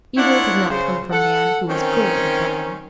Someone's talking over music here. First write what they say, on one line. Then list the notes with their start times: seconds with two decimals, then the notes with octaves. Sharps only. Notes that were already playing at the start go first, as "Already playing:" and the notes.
Evil does not come from man, who is good at bottom.
0.16 A#3 D4 E4 F4 C#5 F#5
0.69 C#3 C5
1.11 A4 F#5
1.68 D#3 C4 C#4